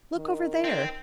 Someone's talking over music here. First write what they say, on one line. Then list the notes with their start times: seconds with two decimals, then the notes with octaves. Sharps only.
Look over there!
0.17 D#3
0.64 C4